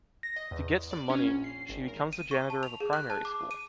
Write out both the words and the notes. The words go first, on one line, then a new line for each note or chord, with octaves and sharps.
To get some money, she becomes the janitor of a primary school.
A#6
D#5
E2
D5
C#4
A#1
C7
G#1
A#4
D#7
C#6
A5
F7
G#4
F#6
A5
D6
D#7